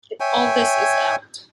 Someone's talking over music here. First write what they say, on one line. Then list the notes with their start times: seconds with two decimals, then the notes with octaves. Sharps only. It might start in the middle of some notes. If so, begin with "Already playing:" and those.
All this is out.
0.20 C#5 E5 G5 G#5